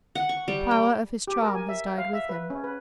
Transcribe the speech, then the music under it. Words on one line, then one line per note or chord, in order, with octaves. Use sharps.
The power of his charm has died with him.
F#5
C#6
G3
G5
G4
A#4
G#5
E5
G5
F5
E5
B4
C#4
B4